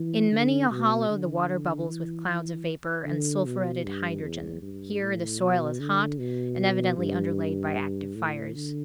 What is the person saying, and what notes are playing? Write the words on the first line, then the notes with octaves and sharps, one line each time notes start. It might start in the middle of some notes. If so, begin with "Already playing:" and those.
In many a hollow the water bubbles with clouds of vapor and sulphuretted hydrogen; here the soil is hot and evidently underlaid by active fires.
Already playing: E3
D3
B2
D3
E3
E3
D3
B2
G2
E2
G2
A2
B2
D3
B2
G2
A2
D3